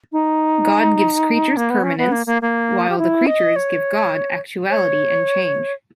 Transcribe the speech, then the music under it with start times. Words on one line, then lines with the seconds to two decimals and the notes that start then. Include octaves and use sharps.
God gives creatures permanence, while the creatures give God actuality and change.
0.12 D#4
1.57 A#3
1.70 B3
1.83 C#4
1.98 B3
2.12 A#3
2.26 A#3
2.42 A#3
2.89 G4
2.98 E4
3.27 D#5
3.56 C#5
4.70 C#5